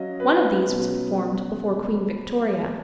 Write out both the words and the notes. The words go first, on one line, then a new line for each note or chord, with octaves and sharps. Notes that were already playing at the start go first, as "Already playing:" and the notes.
One of these was performed before Queen Victoria.
Already playing: F#3 C#4 F4 D#5
B4
B2 F#3 C#4